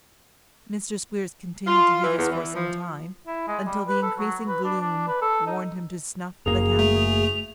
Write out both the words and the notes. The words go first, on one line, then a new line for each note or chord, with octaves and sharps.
Mr Squeers continued to do this for some time, until the increasing gloom warned him to snuff the candle.
F4
E3
E2
E3
F3
E4
G#3
G3
B4
A4
F#3
B4
D4
D4
B4
A4
D#4
F#1 F#2 A#3 G#4 F7
A3